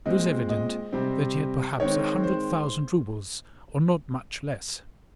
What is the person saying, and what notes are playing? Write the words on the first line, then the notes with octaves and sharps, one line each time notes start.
It was evident that he had perhaps a hundred thousand roubles or not much less.
A#2 G#3 C4 D#5
D#5
C3 G3 C4
D#3 G#3 C4 C#5
C5